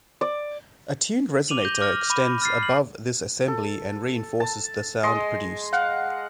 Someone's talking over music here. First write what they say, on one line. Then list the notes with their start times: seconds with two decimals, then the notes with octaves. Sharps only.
A tuned resonator extends above this assembly and reinforces the sound produced.
0.21 D5
1.48 D6 D#7 F7 F#7
1.61 G6 A#6 G7
1.81 D6 F6 A#6
2.10 B5 D6 D#7
2.42 F6 A6 C7
2.63 F#7
3.48 A4
4.40 A5
5.03 G#3 D#5 C6
5.73 F5 F#5